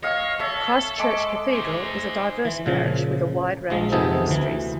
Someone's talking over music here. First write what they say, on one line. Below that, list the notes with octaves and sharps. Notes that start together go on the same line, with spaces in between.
Christ Church Cathedral is a diverse parish with a wide range of ministries.
C#5 D#5 F5 G#5
A4 C#5 E5
G#3 G#4 D6
C5 G#5
E3
A#2 C#3 F3
A#1 F3 G#3
F2 C3 B3 D#4 G#4 A4
D2 E3